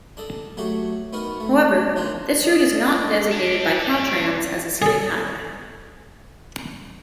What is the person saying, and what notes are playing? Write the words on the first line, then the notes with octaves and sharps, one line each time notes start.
However, this route is not designated by Caltrans as a scenic highway.
D4 A4 D#5
F#3 A3 F#4 G4
B3 D#4 F#4 A#4
A3
D#3 F3 D4 D#4 F4
D5 D#5
D4 G4
G#4 A4